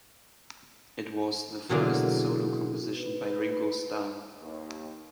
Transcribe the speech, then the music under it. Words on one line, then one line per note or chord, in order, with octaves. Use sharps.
It was the first solo composition by Ringo Starr.
B2 D3 E3 F#3 G#3 A#3
B4
D#2